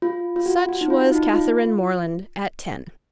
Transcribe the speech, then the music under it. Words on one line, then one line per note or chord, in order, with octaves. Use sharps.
Such was Catherine Morland at ten.
F4
F4
F#4
F#4
D#4
F4
D#4
F4